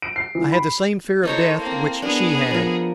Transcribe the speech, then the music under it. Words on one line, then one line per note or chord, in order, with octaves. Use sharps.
I had the same fear of death which she had.
D7
C7
E3
B5
D#4 E4 A4 C5 C#5
A#3 C4
B3 D4 G#4 A#4
F3 A#4